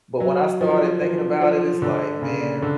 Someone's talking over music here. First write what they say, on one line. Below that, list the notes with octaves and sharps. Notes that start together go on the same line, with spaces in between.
but, when I started thinking about it it's like, man,
F#3
F3
F3
F3
D3
C#3
D3